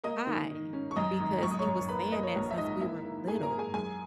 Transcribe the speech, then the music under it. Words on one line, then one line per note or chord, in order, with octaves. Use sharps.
high because he was saying that since we were little,
A#3 D#5 D#6
D#3
D#3
C#4
C#6
F#2 D#5 D#6
G#1
F#2 C#6
D#6
C#5 C#6
F#2
A#3 B4 B5
A#3 D#5
C#5
A#1 C#5
E5
G#2 D#5
A#3 E4 E5
A#3
A#3 G#4 G#5
A#4 A#5
A#3
G#4 G#5
F#2 G#4 G#5